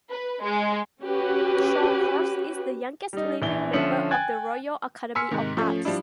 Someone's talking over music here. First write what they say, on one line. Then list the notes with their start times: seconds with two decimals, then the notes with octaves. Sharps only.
Shawcross is the youngest living member of the Royal Academy of Arts.
0.10 B4
0.42 G#3
1.02 C#4 F#4 G4 B4
3.13 G3 D#4
3.42 A#1 E3 G7
3.73 D3 F3 C#4 E5 C#7 F#7
4.11 G5 G#5 F#6 G#6 A6
5.15 G#5 C6 E6 F6 B6 C#7
5.31 G#2 C3 D#3
5.57 F3 A3 C#4
5.85 F3 G3 D4 E4